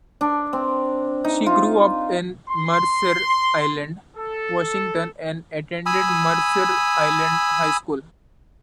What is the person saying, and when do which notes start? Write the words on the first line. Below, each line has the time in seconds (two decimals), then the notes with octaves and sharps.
She grew up in Mercer Island, Washington, and attended Mercer Island High School.
0.21 D4
0.53 C4
1.24 D#4
1.46 F4
2.50 C6
4.17 A4
5.86 G#5 B5 D#6 E6